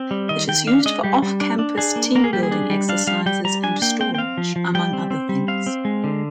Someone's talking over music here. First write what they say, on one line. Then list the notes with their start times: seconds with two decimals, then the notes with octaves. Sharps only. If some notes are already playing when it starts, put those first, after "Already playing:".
It is used for off-campus team-building exercises and storage, among other things.
Already playing: C4
0.11 G3
0.29 D#3 D#5
0.48 D#3 G5
0.67 D4 F5
0.86 G#3 D#5
1.03 G3 G4
1.22 G3
1.41 D4
1.59 D4
1.78 D4 G#4
1.96 A#3
2.15 A#3 A#4
2.24 G#4
2.33 G3 G4
2.43 G#4
2.51 D4
2.70 G3
2.89 D4 F5
3.07 G3 F5
3.26 G3 G5
3.45 G3 A#5
3.63 D4 G#5
3.82 A#3 G5
4.00 C4 G5
4.15 G5
4.18 C4 F5
4.37 F3
4.56 F3
4.75 G3 G5
4.93 C4
5.11 C4
5.29 G3
5.48 C4 F5
5.67 C4
5.85 G#3
6.04 D3